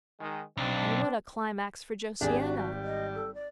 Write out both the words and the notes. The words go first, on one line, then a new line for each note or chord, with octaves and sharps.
And what a climax for Josiana!
D#3 G#3
B1 C4 D4
G#1 D4 G4 G#4
F#4
G3
D#5
A4
D5